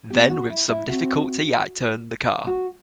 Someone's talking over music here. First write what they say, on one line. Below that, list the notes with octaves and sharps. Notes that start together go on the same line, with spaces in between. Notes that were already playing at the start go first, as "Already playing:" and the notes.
Then with some difficulty I turned the car.
B3 G4
F#4
E4
E4
C4 F#4
F#4